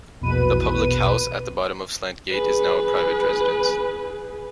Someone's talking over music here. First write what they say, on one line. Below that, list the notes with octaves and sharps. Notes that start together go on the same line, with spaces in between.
The public house, at the bottom of Slant Gate, is now a private residence.
A#1 E2 B2 B4 D#7
G#4 B4